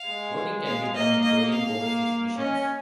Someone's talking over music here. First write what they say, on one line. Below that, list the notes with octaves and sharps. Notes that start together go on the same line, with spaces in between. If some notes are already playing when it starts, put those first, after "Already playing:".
Voting can be done in Korean overseas missions.
Already playing: F5
G#3
F5
A#3 D#5
D#5
F5
A#3
C#4 D#5